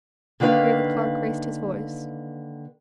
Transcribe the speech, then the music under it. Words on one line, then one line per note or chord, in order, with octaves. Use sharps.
Here the Clerk raised his voice.
D3 D#3 A#3 B4 F5